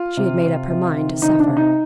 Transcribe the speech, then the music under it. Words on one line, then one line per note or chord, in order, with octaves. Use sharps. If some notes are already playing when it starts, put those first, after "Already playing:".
She had made up her mind to suffer.
Already playing: F4
C3
C3
C3
D#3
C3 D#4
D4
C3
D#4